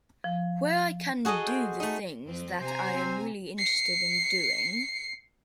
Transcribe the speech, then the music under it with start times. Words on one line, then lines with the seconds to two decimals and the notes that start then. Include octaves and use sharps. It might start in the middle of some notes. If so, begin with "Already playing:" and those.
Where I can do the things that I am really interested in doing?
0.24 F3
1.25 F#4 G#4 A4 D#5
1.47 C5
1.80 A3 D#4
2.27 F2 C4
2.61 C3 C5 G#5 A#5
2.92 C4
3.58 C7 C#7